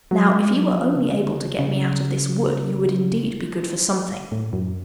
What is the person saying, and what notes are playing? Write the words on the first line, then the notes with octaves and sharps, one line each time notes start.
Now if you were only able to get me out of this wood, you would indeed be good for something.'
F#3
G#3
F#3
F3
C#3
D3
C#3
C#3
A2
F#2